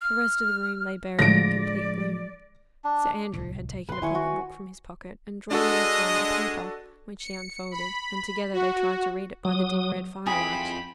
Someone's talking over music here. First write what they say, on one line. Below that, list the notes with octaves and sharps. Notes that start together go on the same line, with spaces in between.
The rest of the room lay buried in complete gloom; Sir Andrew had taken a pocket-book from his pocket, and drawn therefrom a paper, which he unfolded, and together they tried to read it by the dim red firelight.
F6
A2 D3 F3 G#3 D5 A#6 D7
D4
D1 C2
C3 B4 C6
D#3 E4 G#5 C#6
F#4
G#3 D4 F#4 A4 D#5
C#7
B5
F#4
F#3 D#6
F2 C4 E4 G#4 G5 B5